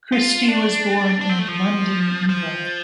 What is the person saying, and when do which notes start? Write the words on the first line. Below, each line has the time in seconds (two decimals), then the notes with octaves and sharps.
Christy was born in London, England.
0.12 F4
0.48 D4
1.21 D4
1.29 C4
1.39 A3
1.48 F3
2.29 F3